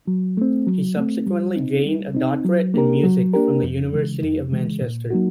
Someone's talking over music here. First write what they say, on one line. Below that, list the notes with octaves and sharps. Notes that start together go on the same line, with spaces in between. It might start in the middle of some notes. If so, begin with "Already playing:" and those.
He subsequently gained a doctorate in music from the University of Manchester.
F#3
A3 C4
F#3
A3 C4
G3
C4 D#4
G3
C4 D#4
F#3
A#3 D4 G4 A#4
F#3
A#3 D4 G4 A#4
F2
C#3 E3 G#3
F2
C#3 E3 G#3
A#2
F#3 A#3 D#4 F#4